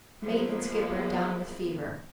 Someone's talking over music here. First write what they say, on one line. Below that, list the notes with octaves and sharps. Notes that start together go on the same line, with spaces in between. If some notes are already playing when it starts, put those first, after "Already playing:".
Mate and skipper down with fever.
F3 F#3 G#3 A#3 B3 E4